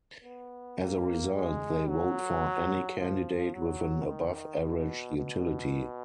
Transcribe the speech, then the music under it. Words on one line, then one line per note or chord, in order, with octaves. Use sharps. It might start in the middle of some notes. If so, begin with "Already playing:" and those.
As a result, they vote for any candidate with an above-average utility.
B3
A#3
G#3
F#3
F3
F#3
D#3
B2
B2